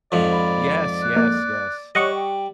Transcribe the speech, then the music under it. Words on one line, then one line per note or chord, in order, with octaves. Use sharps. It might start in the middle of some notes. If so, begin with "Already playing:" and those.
Yes, yes, yes.
F2 G#2 F3 D5
B5
F#6
A#3
G3 C#5 D#5 F#5 C#6
G5